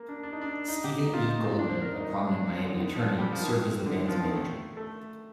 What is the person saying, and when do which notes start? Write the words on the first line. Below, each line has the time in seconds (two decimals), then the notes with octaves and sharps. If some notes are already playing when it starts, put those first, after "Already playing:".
Steven E. Goldman, a prominent Miami attorney, served as the band's manager.
Already playing: A#3
0.08 D4
0.23 D4
0.32 D#4
0.41 D4
0.68 D#4
0.84 G4
0.99 D#4
1.14 F4
1.29 D#4
1.44 C4
1.59 D4
1.70 C5
1.81 A#4
1.93 D#4
2.04 D#4
2.27 D4
2.50 C4
2.65 D3
2.80 D#3
2.95 F3
3.18 G3
3.32 F3
3.41 D#3
3.86 D3
3.98 D#3
4.08 F3
4.20 D#3
4.31 A3
4.77 A3